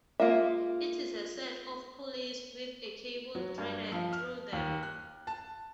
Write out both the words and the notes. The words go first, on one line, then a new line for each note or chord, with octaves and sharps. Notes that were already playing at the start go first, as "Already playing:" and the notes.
It is a set of pulleys with a cable threaded through them.
G#3 A#3 F4 A#4 E5
F#3
G2
F3
F6
D#2
F#6
A5